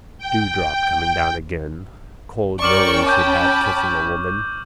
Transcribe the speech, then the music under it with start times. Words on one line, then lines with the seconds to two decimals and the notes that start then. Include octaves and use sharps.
Dewdrop coming down again. Cold nose he'd have kissing a woman.
0.18 G5
2.62 C#4 A#4 D5 G5 C#6 D6 F6 F#7
3.07 A5 B5 C#6 D6 G6